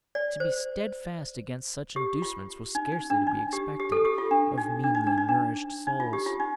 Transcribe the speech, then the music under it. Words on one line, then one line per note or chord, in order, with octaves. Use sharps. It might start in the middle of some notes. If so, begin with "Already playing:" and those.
To be steadfast against such inducements was scarcely to be expected of meanly nourished souls.
D5
C5
G4
F4
D#4
D#4
D4
D#4
G4
G4
A4
G4
F4
D4
D#4
D4
D#4
D4
D#4
D4
D#4
F4
G4
F4
D#4